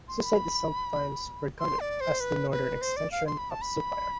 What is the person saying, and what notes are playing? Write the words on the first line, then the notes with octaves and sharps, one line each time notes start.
Sucite is sometimes regarded as the northern extension of Supyire.
C6
B5
C6
D5
C5
B4
B4
C5
D5
F5
C6
B5
A5
B5